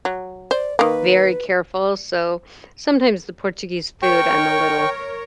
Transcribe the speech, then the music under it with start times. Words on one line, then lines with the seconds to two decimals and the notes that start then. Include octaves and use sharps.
very careful. So sometimes the Portuguese food, I'm a little
0.05 F#3
0.51 C5 D5
0.79 D#3 A#3 B4
4.02 A#4 C#5 G5 C#6